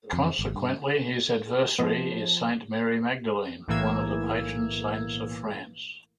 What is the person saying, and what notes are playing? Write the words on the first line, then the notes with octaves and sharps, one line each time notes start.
Consequently, his adversary is Saint Mary Magdalene, one of the patron saints of France.
F2
G#1
G2
F3 B3 D#5
B1 A2 E3 A#3 E6 G#6